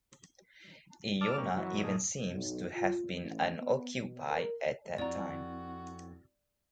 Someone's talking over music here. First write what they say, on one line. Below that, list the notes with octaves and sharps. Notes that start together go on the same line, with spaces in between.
Iona even seems to have been unoccupied at that time.
D5 A5 D6 E6 F6
G3 A#3 C#4
F#2 E3 F#3
A#2 A3 D#4 G#4
B1
F4
A1
B3
B2
A#4
F2 C4 E4 F#4 D5 A#5